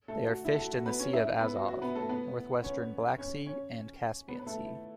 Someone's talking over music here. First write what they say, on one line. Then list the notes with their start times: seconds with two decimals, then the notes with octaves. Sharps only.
They are fished in the Sea of Azov, northwestern Black Sea and Caspian Sea.
0.08 A3 A4
0.27 F#4
0.45 E4
0.54 A4
0.59 F#4
0.72 F#4
0.86 B3 B4
0.99 C#4 C#5
1.13 E4 E5
1.41 B3 B4
1.55 F#4
1.68 F#4
1.82 B3 B4
1.95 A3 A4
2.09 B3 B4
2.64 C#4 C#5
3.18 C#4 C#5
3.46 C#4 C#5
4.28 B3 B4
4.39 B4
4.46 A3 A4
4.65 E4